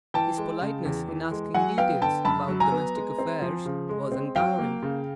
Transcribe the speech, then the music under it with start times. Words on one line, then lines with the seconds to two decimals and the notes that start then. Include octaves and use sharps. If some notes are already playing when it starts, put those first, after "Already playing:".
His politeness in asking details about domestic affairs was untiring.
0.14 E3 G5 A5
0.38 G#3
0.61 C#3
0.85 E2
1.08 E3
1.31 G#3
1.54 F#3 F#5 G#5
1.78 B3 F5 G5
2.02 D3 G5 A5
2.25 F#2 A5 B5
2.48 F#3
2.60 G#5 A#5
2.72 B3
2.95 G#3
3.18 C4
3.42 F3
3.65 C#3
3.89 G#3
4.12 C4
4.36 F#3 F5 G5
4.59 A#3
4.83 C#3